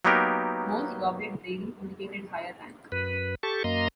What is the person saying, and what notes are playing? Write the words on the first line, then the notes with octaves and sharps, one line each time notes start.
More elaborate braiding indicated higher rank.
F#3 A#3 B3 D#4 G4 A#4
F#2 B4
G4 A4 A5 C#6
F#2 A#3 D#5 A#5 C6